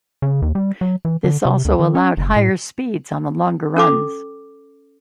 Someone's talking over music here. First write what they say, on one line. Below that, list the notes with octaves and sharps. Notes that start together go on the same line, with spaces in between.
This also allowed higher speeds on the longer runs.
C#3
D#2
G3
F#3
E3
D3
C3
D2
D#3
C#4
F#1
A2
C#4 A4 D6